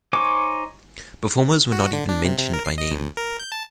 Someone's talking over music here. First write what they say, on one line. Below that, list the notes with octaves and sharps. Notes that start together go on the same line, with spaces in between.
Performers were not even mentioned by name.
D#4 C5 C#5 G#5 D6
F#4
D3
D4
C3
C3
A#4
C7
D#5
D2
A#4
G6
A5